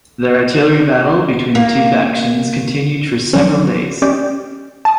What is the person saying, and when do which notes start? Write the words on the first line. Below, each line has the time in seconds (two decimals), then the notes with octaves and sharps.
The artillery battle between the two factions continued for several days.
1.55 A#3
3.33 F#3 C#4
4.02 C#4 G4 D5 D#5
4.85 A5 D#6